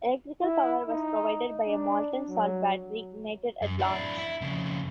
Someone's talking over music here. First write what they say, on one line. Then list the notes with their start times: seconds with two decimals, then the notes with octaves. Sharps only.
Electrical power was provided by a molten salt battery ignited at launch.
0.42 E4
0.87 D#4
1.66 D4
2.28 F#3
3.62 F#2
3.79 D4 E4
4.18 E4
4.41 F2 C#3